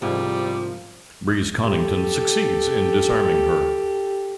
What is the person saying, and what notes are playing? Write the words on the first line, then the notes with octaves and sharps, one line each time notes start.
Breeze-Connington succeeds in disarming her.
C2 G#2 F3 G3
G4 A4